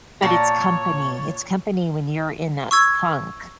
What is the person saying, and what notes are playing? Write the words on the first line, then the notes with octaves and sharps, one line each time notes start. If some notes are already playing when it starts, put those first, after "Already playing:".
but it's company it's company when you're in that funk,
A#2 C#5 F#5 A5
C#6 E6 G#6